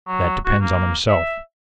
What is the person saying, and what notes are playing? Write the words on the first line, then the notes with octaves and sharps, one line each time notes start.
'That depends on himself.
F#3
F#4
A#3
E5